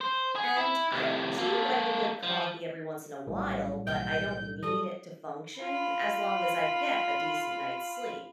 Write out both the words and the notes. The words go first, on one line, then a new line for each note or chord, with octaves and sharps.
and, I do like a good coffee every once in a while, but I don't need it to function, as long as I get a decent night's sleep.
C5
G#4
E4
A2 C3
A#3 A4
F3
A#1 A2 F#3 G3
B1 A#2 E3 G6
F#3 G3 A4 D#6
F4 B5